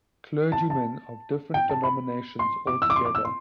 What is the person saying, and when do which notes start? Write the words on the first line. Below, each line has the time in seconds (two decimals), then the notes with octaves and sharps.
Clergymen of different denominations all together?
0.52 A5
0.70 A5
1.54 G5
1.69 A5
1.83 B5
2.39 C6
2.67 D6
2.82 E6
2.90 D6
2.96 C6
3.05 D6
3.15 E6
3.25 C6